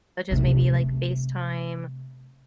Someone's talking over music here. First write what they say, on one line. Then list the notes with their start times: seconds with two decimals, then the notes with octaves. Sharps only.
such as maybe, like, FaceTime
0.31 C3 A3